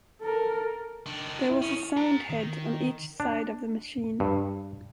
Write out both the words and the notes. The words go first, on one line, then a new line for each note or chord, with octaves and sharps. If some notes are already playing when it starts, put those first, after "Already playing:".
There was a sound head on each side of the machine.
A4 A#4
D#3 D4
E4
D#3 C#4
G#4 A#5
D#3
D4
G2